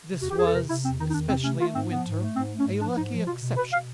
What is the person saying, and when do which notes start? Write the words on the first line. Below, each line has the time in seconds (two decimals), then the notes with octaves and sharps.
This was, especially in winter, a lucky exception.
0.08 C3
0.22 E2 F#4
0.30 G4
0.37 E2 G#4
0.46 A4
0.53 C3 A#4
0.68 C3 E4
0.84 E2 C4
0.99 D#3 D#4
1.10 D#4
1.14 E2 D4
1.28 C3 C4
1.44 A3 C#4
1.59 A3 F4
1.74 G#2 C4
1.90 F3 B3
2.05 G#2
2.20 A3
2.35 G#2 C4
2.51 A3
2.59 C#4
2.66 G#2
2.80 F3 D4
2.96 G#2 D#4
3.11 F3
3.27 B2 F4
3.42 B2
3.57 B2 B4
3.73 B2 F5